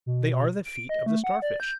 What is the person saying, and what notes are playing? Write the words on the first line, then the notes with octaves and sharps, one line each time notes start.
They are the feet of the Starfish.
B2
D7
D#5
A3
F#5
D5
G6